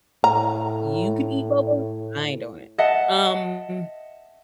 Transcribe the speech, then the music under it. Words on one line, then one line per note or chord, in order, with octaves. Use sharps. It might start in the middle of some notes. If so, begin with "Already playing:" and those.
You can eat boba, I ain't doing it." Um,
A2 A#5
D#5 E5 F#5 A5